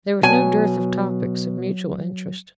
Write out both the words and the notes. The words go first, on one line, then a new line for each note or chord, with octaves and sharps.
There was no dearth of topics of mutual interest.
B2 F#3 G#5